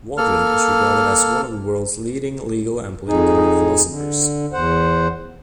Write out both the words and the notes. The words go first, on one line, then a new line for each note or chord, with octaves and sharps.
Waldron is regarded as one of the world's leading legal and political philosophers.
A#3 A4 F6
F2 D#4 G#4
D3
E2 C5 F#5